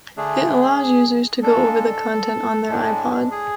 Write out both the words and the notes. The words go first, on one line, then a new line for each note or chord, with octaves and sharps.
It allows users to go over the content on their iPod.
D3 A3 D4 G#4
C#3 G#3 D4 A4
A2 G#3 D4
G#4